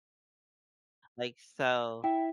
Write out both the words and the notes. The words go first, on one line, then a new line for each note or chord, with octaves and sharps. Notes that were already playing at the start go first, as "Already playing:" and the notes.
Like, so
E4 E5 G5